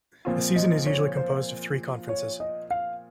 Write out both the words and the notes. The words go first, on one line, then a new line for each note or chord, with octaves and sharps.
A season is usually composed of three conferences.
A#2 F3 C4 F4
D#5
C#5
C5
C#5
D#5
F5